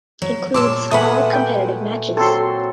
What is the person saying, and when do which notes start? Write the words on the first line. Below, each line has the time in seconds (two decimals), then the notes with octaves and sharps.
Includes all competitive matches.
0.22 F#3
0.54 A#2 C#5 A5 C6 D6 E6
0.91 A#2 A3 B4 F#5 G#5 B5 D#6
1.33 G5
2.17 F#3 C4 A4 C6